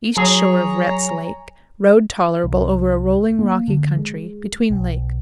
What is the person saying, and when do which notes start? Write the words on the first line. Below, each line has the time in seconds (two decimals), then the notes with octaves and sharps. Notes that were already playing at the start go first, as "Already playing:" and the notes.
East shore of Rhett's Lake.--Road tolerable over a rolling, rocky country, between lakes.
0.17 F#3 G#4 C#5 A#5
2.44 C2
3.39 A#3
3.68 D3
3.96 G#3
4.70 B1